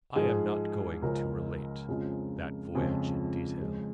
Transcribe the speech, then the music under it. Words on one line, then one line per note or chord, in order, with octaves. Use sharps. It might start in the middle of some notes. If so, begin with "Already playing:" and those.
I am not going to relate that voyage in detail.
G#2 F3 G#3 G#4
C#2 C#3 F3 G#3 A#4
F2 C#3 F3 G#3
F2 C#3 F3 G#3
F2 C#3 G#3